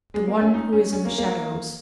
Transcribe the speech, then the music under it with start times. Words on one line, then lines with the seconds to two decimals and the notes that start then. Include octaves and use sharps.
The One who is in the shadows.
0.14 G#3
0.28 A#3
0.41 C#4
0.54 D#4
0.73 C#4
0.93 C#4
1.05 A#3
1.18 A#3